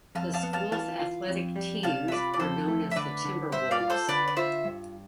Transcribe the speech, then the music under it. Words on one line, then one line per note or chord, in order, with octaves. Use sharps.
The school's athletic teams are known as the Timberwolves.
F2 F5 A5
F5 A5
B3
F5 A5
E3 F5 A5
F4
F2
G3
C3 F5 A5
E5
F4 B4 D5
D5
F2 A4 C5
A3
E5
D3 B4 D5
D3
G2 C5 E5
D5 F5
F4
A4 C5
D3 B4 D5
D5
F4 C5 E5
G2